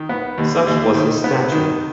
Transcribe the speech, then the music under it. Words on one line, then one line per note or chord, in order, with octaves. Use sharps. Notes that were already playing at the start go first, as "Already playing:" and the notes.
Such was his stature.
Already playing: D#3
B3
D#2
D#2
D#3
B3
D#3